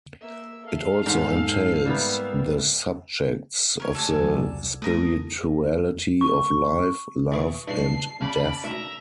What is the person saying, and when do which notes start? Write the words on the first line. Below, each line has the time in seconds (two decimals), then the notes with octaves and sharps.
It also entails the subjects of the spirituality of life, love and death.
0.21 A#3 E5
0.66 A4 E5 F5
1.06 G#2
1.85 G3 A#3 B3 A#4 E5
3.80 A#4 C#5
3.95 A4 D5 G#5
4.11 E2 F#3
4.43 C2
4.82 A3 A#4 D#6
6.21 C#6
7.32 E3 G#4 C#6 D6
7.68 G2 G#3 D4 A5 C7
8.21 C#3 D5 B5
8.64 D2 E5 A#5